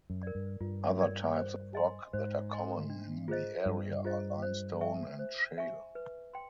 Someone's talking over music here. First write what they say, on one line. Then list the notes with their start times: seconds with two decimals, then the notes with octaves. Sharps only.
Other types of rock that are common in the area are limestone and shale.
0.10 F#2
0.23 A#4 D5
0.35 G2
0.60 G2 F4
0.99 A#4 D5
1.37 C5
1.75 D#5 G#5 C6
2.13 G#2 C5
2.52 D#5 G#5 C6
2.90 D4
3.28 F4 G#4 C5 D#5
3.66 G2 D4
4.05 F4 G#4 C5 D#5
4.42 C5
4.81 E5 G#5 C#6
5.19 C5
5.58 E5 G#5 C#6
5.95 B4
6.34 G5 C6